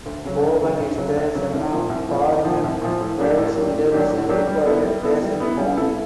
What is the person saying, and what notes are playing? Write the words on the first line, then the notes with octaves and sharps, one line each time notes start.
Bowen is the son of former Wales international footballer Jason Bowen.
D2
C#3 F#3
D2
C#3 F#3
D2
C#3 F#3
D2
C#3 F#3
C2
A#2 F3
C2
A#2 F3
C2
A#2 F3
C2
A#2 F3
A2
F#3 A#3 D4 G4
A2
F#3 A#3 D4 G4
A2
F#3 A#3 D4 G4
A2
F#3 A#3 D4 G4
G3
B3 E4 A4
G3
B3 E4 A4
G3
B3 E4 A4
G3
B3 E4 A4